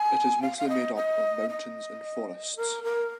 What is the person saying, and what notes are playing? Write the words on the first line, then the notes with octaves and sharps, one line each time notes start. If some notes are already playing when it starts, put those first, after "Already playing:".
It is mostly made up of mountains and forests.
Already playing: G#5
F5
F5
D#5
D#5
D#5
A#4
A#4